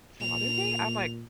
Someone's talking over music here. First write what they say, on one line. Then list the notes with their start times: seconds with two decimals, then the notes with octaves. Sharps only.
some other day?" I'm like
0.20 A#2 F7